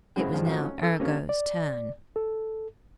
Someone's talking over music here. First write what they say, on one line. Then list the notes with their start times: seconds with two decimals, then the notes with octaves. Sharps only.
It was now Arago's turn.
0.16 F#2 C#3 G#3 C4 E4
0.33 G2 F3 G#3
0.46 F3 F#3 A3 C#4 D#4 F#4
0.63 C#4
0.83 A4
0.99 G3 A#3 C#4 D4
1.29 D5
2.16 A4